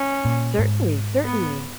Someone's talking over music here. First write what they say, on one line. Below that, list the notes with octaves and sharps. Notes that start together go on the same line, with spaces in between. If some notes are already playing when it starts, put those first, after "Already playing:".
"Certainly, certainly."
Already playing: C#4
A#2
G#2
B3